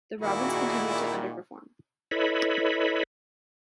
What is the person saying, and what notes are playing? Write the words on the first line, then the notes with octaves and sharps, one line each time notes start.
The Robins continued to underperform.
A#2 D#3 E4 F#4 G#4 D5
E4 A4 B4 C#5 D#5 B5